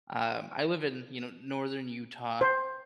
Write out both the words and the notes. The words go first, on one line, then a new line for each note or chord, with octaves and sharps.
um, I live in, you know, northern Utah,
C5